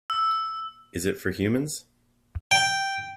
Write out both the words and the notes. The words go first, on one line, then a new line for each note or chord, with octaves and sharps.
Is it for humans?
E6
G5